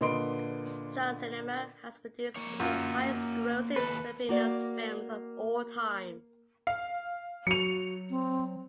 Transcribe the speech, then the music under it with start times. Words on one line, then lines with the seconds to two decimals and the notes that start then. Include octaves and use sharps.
Star Cinema has produced most of the highest grossing Filipino films of all time.
0.01 A#2 D3 B4 D#5 C6 D7
2.36 A#3 C#5
2.60 F#2 F4
3.76 D#2 A4 B4
4.29 A#3 F#4 D5
6.67 F5
7.47 F#3 F#4 C#7 F7
8.10 C4